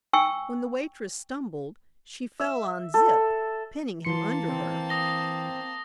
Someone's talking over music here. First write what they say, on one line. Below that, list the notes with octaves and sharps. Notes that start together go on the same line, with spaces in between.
When the waitress stumbled, she fell on Zip, pinning him under her.
G5 G#5 C#6 E6
E5
A4
E3 A#3 A5 C6 C#7
C4
D#6 A#6 G7